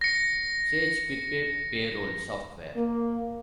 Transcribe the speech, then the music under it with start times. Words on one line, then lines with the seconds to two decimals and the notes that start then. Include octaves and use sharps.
Sage QuickPay payroll software.
0.01 A#6 C#7
2.76 A#3